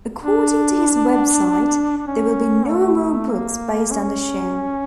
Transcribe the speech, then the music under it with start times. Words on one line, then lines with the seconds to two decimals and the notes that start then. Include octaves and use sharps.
According to his website, there will be no more books based on the show.
0.24 D4
1.98 D4
2.07 C#4
2.68 A3
3.30 A#3
3.91 C#4